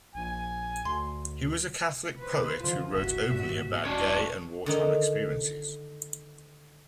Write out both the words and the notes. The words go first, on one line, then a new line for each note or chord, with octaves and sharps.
He was a Catholic poet who wrote openly about gay and wartime experiences.
A#1 G#5
D2 C6
B4 C5
D3 E3 F3 F4
F1 C2 G2 F#4 E5
G#1 G2 A#2
E1 C#4 D4 F#4 C#5
D3 D#3 D#4